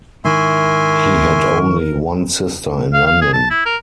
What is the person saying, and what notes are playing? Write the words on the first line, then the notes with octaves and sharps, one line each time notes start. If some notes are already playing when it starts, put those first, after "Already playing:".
He had only one sister in London.
G#2 D#3 E4 A#4 E5 G#5 C6 C#6
F5
F5
G#4
A5
E4
A#4